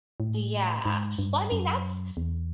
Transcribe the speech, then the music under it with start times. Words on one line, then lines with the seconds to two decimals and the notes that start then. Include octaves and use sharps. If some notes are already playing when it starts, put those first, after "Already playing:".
Yeah. Well, I mean, that's
0.20 A2
0.85 G#2
1.18 G2
1.52 F#2
2.17 E2